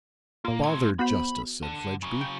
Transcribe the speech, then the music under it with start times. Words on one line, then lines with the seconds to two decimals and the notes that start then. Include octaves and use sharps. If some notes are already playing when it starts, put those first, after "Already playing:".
'Bother justice!' said Fledgeby.
0.45 A#2 A#3 F4
0.64 A3 C4 G#6
0.99 B3 F#4 C5 B5
1.63 D3
2.03 C#3 F#3
2.21 G5